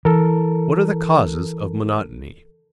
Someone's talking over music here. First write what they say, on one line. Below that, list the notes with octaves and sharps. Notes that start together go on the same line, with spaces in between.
What are the causes of monotony?
E3 A4 A#4